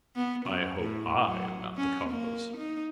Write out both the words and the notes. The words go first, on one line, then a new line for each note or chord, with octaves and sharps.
"I hope I am not the cause."
B3
F#2
A2
F#3
C#4
A#3
D#4